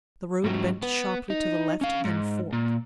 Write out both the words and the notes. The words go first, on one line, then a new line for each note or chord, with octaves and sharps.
The road bent sharply to the left then forked.
G#2 F#3
B3
D#4
C#4 F5
G#2
A#2